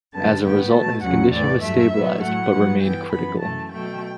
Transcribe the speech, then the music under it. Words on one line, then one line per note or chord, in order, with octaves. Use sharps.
As a result his condition was stabilized, but remained critical.
F#2 D3 G3 B3 A5
A2 G3 B3 G5
B2 A3 A5
E2 C#3 F#3 F#5
A2 E3 B3 D5
G2 F#3 A3 E5
A2 F#3 B3
A2 F#3 A3 F#5
A2 F#3 B3
G2 E3 B3 G5
F#2 E3 B3 B5
F#2 E3 A3 A5
B2 F#3 A3 G5